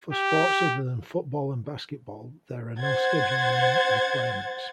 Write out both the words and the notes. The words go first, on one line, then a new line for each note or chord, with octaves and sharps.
For sports other than football and basketball there are no scheduling requirements.
G4
C5 F#5 G#6 A6